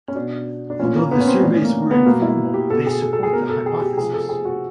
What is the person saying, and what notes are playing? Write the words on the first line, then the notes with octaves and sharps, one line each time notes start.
Although the surveys were informal, they support the hypothesis.
C#4
B2 D4
D4
A#2 F3 C#4
A#3
B3
C#4
C4
A2 E3 D4
C#4
A#3
B3
B2 A#3
E4
G4
B2 A4
G#4
A4
A4
G#4
B2 A#4
A4
G#4
G4
C3 F3 G#4
A4
G#4
F#4